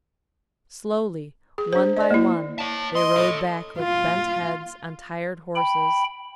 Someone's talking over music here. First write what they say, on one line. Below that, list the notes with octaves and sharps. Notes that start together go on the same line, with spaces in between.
Slowly, one by one, they rode back, with bent heads, on tired horses.
G#4
D4 C5
D5 D#5
A#3 E4
C#5 A5
D#5 C6
A4 C#5
F4
G5 B5